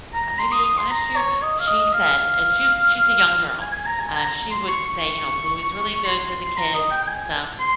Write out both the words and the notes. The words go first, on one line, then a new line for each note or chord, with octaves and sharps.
uh, maybe last year? She said- and she's she's a young girl- uh, she would say, you know, "Bluey's really good for the kids stuff."
A#5
C6
D#6
D#6
C6
A#5
C#5
D#5
F5
D#5
F5
G#5
G#5
A#5
G#5
A#5
C6
C#6
C#6
C6
A#5
D#5
G5
G5
G#5
C6